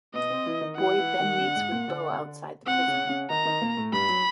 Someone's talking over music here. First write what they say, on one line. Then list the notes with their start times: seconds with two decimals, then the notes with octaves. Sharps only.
Boyd then meets with Bo outside the prison.
0.14 B2 B3 D#5
0.30 C3 C4
0.46 E3 E4
0.61 D#3 D#4
0.77 E3 E4 F#5
0.98 E3 E4
1.19 D#3 D#4
1.40 D3 D4
1.56 G#2 G#3
1.72 A#2 A#3
1.88 D3 D4
2.66 C3 C4 F#5
2.88 C#3 C#4
3.09 C#3 C#4
3.30 D#3 D#4 A#5
3.45 D#3 D#4
3.61 A#2 A#3
3.77 A2 A3
3.93 G2 G3 B5
4.09 F#3